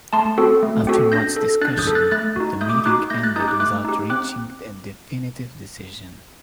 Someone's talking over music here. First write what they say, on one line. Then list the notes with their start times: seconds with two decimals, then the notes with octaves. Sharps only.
After much discussion, the meeting ended without reaching a definitive decision.
0.13 A3 A5 C6
0.38 C4 F#4 A4
0.63 A3
0.87 C4 F#4 A4
1.12 D4 G6 A#6
1.36 A4
1.61 D4 F#6 A6
1.78 D#6 G6
1.87 A4
1.95 F#6 A6
2.11 A3 F#6 A6
2.36 D#4 F#4
2.61 A3 D#6 G6
2.69 D6
2.78 D#6
2.86 D#4 F#4 D6 F#6
3.10 A3 G6 A#6
3.23 F#6 A6
3.36 D#4 G4 D#6 G6
3.48 D6 F#6
3.60 A3 D6 F#6
3.85 D#4 G4
4.10 C4 D6 F#6